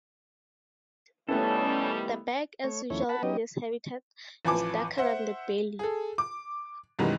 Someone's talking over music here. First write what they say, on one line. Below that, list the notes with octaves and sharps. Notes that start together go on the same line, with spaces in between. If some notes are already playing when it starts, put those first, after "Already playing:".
The back, as usual in this habitat, is darker than the belly.
D#3 G3 A3 B3 C#4 E4 A4
A3 C#5
D#2 F3 A3 C#4 E4 C#5
F#5 A5 B5
F#3 B3 C#4 D#4 G4 D#5
A1 F3 B4 G#5 A5 D6
C5 E5 F#5
G#4 A4
D6
F#2 B2 D#3 E3 G3 G#3